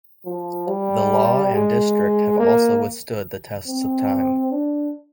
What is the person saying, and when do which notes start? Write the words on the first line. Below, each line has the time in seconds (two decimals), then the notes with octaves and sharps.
The law and District have also withstood the tests of time.
0.25 F3
0.67 G3
1.54 G#3
2.39 A#3
3.66 C4
4.52 D4